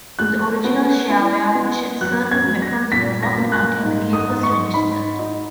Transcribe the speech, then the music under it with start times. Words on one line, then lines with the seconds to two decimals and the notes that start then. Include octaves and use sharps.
In the original shareware version certain weapons were locked until the game was registered.
0.19 G#3 F#6
0.64 B3
1.09 E4
1.55 B3
2.01 F#3 F#6
2.31 G#6
2.47 F#3
2.62 A#6
2.92 A#2 B6
3.23 A#6
3.38 A#3
3.52 F#6
3.83 G#2
4.13 D#6
4.28 G#2
4.43 C#6
4.73 G#2 B5
5.19 D#4